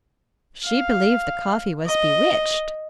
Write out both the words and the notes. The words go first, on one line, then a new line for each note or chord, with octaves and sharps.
She believed the coffee was bewitched.
F5
D#5